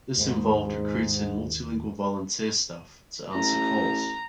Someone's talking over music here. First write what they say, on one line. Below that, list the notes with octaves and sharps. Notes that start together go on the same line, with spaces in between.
This involved recruiting multilingual volunteer staff to answer calls.
D#2 G#2
A1 A#5